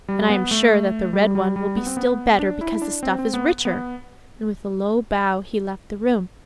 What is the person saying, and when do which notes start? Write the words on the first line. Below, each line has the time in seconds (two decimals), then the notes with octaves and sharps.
'And I am sure that the red one will be still better, because the stuff is richer,' and with a low bow he left the room.
0.08 G3
0.29 B3
0.51 A3
1.13 G3
1.35 G3
1.56 G3
1.77 B3
1.86 C4
1.97 B3
2.39 D4
2.61 E4
2.82 D4
3.03 C4
3.19 C4
3.34 B3
3.65 B3